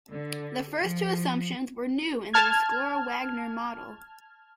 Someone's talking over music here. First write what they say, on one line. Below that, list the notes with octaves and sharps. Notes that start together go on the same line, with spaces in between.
The first two assumptions were new in the Rescorla-Wagner model.
D3
F3
A5 F6 G#6